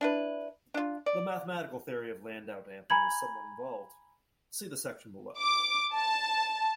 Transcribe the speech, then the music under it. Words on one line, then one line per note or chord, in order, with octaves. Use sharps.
The mathematical theory of Landau damping is somewhat involved-see the section below.
D4 E4 B4
D4 F4
D5
G#5 A#5 B5 G#6 F#7
D6
A5